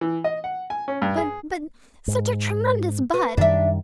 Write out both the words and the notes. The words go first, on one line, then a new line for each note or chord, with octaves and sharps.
But--but--such a tremendous but!
E3
D#5
F#5
G#5
C#4
G2
G#4
G#2
B4
F#2 D#3 G3 D4 E5